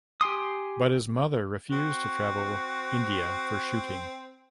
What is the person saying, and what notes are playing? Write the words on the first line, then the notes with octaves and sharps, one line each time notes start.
But his mother refused to travel India for shooting.
G4 G#5 C6 D#6
C4 F#4